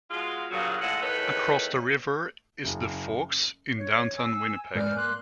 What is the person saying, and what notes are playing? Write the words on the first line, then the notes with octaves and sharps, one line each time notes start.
Across the river is The Forks in Downtown Winnipeg.
B2 G#3 F4
G2 A#2 C#3 F#3
A2 C#3 G#3 A4 F#5
E2 D#3 A4 B4 C#5
F#1
C#5
G#5 E6
G#2 B4 D5 G#5 F6 G6
A#3 C6 F#6